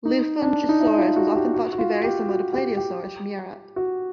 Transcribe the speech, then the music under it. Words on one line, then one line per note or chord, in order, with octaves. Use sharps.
"Lufengosaurus" was often thought to be very similar to "Plateosaurus" from Europe.
D#4
D4
D#4
E4
F4
F#4
G4
F#4
F#4
F4
G4
F#4
G4
F#4
G4
F#4